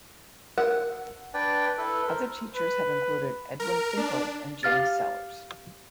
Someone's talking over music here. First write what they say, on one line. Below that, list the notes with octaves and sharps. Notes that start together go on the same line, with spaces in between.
Other teachers have included Edwin Finckel and James Sellars.
A#4 F#5
D4 B4 D5 G5
E4 A4 B4
A#4 C5
B4
A#4
D4
G4 F5 F6 A6